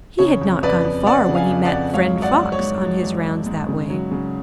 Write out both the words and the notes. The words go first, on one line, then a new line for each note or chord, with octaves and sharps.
He had not gone far when he met friend Fox, on his rounds that way.
C#3 C#5
F2
F2 B4 D5
F2
F2 D5 F#5
C#3
F5 G#5
F2
D5 F#5
F2
G#2 C#5 F5
F#3
D5 F#5
G#2
C#5
G#2
F#3
G#2
G#2
G#2
C#3
F#3
C#3